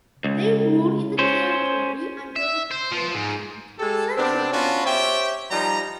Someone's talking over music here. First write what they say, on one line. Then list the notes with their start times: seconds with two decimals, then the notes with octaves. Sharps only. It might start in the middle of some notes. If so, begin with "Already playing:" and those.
They ruled in the territory until the thirteenth century.
0.24 C#2
1.19 C#4 C5
2.36 E5
2.71 C5
2.92 F3
3.15 G#2
3.79 G#3 G4 A4
4.17 C3 B3 C4 D4
4.52 B3 C#4 D4 F4 F#4
4.84 G4 C5 C#5 E5 G5
5.51 F3 G3 D#4 A#5